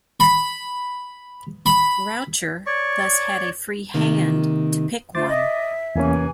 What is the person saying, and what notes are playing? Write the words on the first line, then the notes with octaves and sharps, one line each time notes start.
Raucher thus had a free hand to pick one.
B5
B5
C#5 D5 C#6
C3 D#3 A#3
A3 F4 C5 D6 A6
D#5 E5
E2 C3 E3 A#3 C#4 G#5